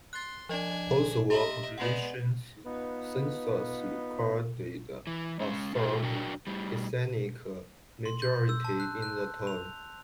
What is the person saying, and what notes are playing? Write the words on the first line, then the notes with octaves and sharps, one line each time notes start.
Post-war population censuses recorded a Serb ethnic majority in the town.
C6 F#6 A6
F3 D4 D#5 G#5
G4 D#5 E5 A#5 C6
G#3 B3 D5 F#5
B3 D#4 F4 B4
E3
G#3 C#4
A3 F4 G4 G#4 E5 G5
F#2 D4 F#4 A#4 G5
A2 G3
C6
G6
E6
A5
F#6
F#6
F7